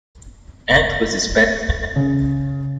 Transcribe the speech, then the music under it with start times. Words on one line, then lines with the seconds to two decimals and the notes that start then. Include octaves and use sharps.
Ant was his best man.
1.96 C#3